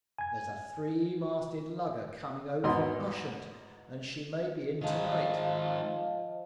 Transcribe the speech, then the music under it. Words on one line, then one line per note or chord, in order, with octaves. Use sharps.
There's a three-masted lugger coming over from Ushant, and she may be in to-night.
G#5 G#6
E2 G#2 B2 D#4 D#5 C6
D#3 F3 G#3 D#5 F5 A5